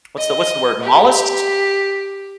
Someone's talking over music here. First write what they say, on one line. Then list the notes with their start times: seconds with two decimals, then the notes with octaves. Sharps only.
what's the what's the word- mollusks?
0.16 D#5
0.81 G4